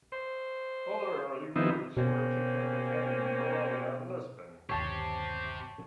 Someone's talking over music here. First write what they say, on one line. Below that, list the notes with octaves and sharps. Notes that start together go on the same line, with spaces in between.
Other early routes were to Copenhagen, Bologna and Lisbon.
C5
D#3 F3 B3 C4 D#4 E4
B2 A#3 C4 C#4
G1 D#2 G4 C5 C#5 A5